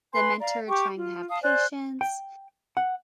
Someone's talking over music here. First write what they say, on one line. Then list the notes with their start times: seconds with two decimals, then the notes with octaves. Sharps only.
the mentor trying to have patience,
0.13 B4 G#5 B5 C6
0.40 D5 F5 A#5
0.68 G4 G5 C#6 D6
0.96 F4
1.30 F5 A5 D#6
1.42 C5 D5 G#5 F#6
2.01 G5
2.77 F#5